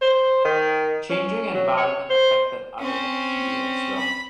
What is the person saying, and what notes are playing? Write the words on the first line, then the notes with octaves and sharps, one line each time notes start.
Changing environment affected other bacteria as well.
C5
D#3
C#4
F#3
C#5
C5
C4 C#4
B5